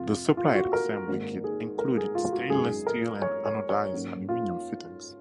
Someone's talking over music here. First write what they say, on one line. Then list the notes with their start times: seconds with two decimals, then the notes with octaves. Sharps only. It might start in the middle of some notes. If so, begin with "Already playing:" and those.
The supplied assembly kit included stainless steel and anodized aluminum fittings.
Already playing: F2 C3 F3 F4
0.37 F4
0.55 F#4
0.73 A#4
1.08 G#1 G#2 D#3 A#3
1.44 G#4
1.79 A#4
1.97 G#4
2.15 F4
2.32 F#4
2.50 G#1 F#2 D#3 G#4
2.87 A#4
3.22 C#5
3.45 C#5
3.69 C#5
3.93 G#2 F#3 A#3 C#4
4.29 F4